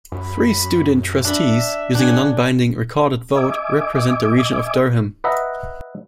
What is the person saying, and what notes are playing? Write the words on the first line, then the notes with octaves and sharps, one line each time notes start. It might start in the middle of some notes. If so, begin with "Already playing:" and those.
Three student trustees, using a non-binding, recorded vote, represent the region of Durham.
F#2 B5
D4 E5 B5
C#3 D4 F#5 G#5
D#5 E5 G#5 D6
B4 D#5 E5 F#5 A#5